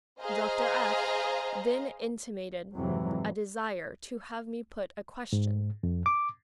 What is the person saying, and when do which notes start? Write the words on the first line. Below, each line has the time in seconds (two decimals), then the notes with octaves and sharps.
Dr. F--then intimated a desire to have me put a question.
0.20 G#4 C5 D#5 F5 A#5
2.73 F2 G#2 C3 E3 F#3
5.33 G#2
5.83 F2
6.06 D6